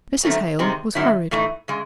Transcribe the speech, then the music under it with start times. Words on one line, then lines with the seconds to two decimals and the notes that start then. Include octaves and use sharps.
Mrs. Hale was hurried.
0.23 F#2 D#3 A3 C4
0.59 C3 D#3 G#3 C4
0.95 G#2 D#3 F#3 C#4 E4
1.31 A2 E3 A3 D#4
1.68 C#3 G#3